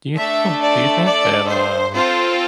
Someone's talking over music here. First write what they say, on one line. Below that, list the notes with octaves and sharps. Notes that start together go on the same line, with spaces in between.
Do you think do you think that, uh,
A3 D4 A4 E5
D5
D5
C5
C4 F4 A4 C5